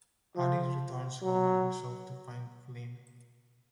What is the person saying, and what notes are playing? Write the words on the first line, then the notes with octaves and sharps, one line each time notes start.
Ary returns home and resolves to find Flynn.
F3
F#3